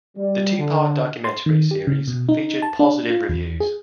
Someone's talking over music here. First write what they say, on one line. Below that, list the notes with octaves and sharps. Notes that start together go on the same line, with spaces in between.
The two part documentary series received positive reviews.
G3
D3
C6
D#3
G4
C#3
B2
D#4
A5
D4
F4
E2
G#4